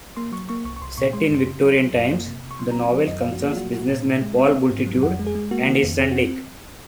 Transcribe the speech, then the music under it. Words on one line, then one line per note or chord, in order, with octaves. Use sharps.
Set in Victorian times, the novel concerns businessman Paul Bultitude and his son Dick.
A#3 C6
F#3 C#6
A#3 C#6
C2 C#6
C#6
C2 C6
A#2 C#6
G#3 C6
F#2
C#3
F#3
F#3
F#2
A#3
C3
C3
C#6
F#3 C6
A#5
C4
G#5
F#3 C5
F#2 D#5
F5
F3
F#4
A#3 G#4
F4
F#3 F#4
A#2 F#4
A#2
A#2
G#3
C4
C4
G#2
F#3
F2 F#5
G#3
G#4
G#3
A#3 F#4
D#3
F2
C4 G#4
F#4
C4